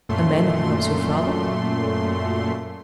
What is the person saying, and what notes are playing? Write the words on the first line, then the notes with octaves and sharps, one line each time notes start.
"A man who helps your father?"
F#2 A#2 A3 C6